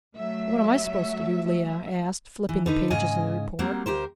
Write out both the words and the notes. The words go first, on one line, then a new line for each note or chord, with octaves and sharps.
"What am I supposed to do?" Lea asked, flipping the pages of the report.
F#3 A3 E5
E3
D3 D#4 B4
G#2 C#3 D#5 G#5
F#3 G3 A#3 C4
D2 G4 A#4 C5